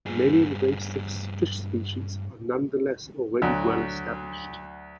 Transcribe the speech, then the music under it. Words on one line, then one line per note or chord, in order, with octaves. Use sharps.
Many invasive fish species are nonetheless already well-established.
G2 G#4
D2 F#3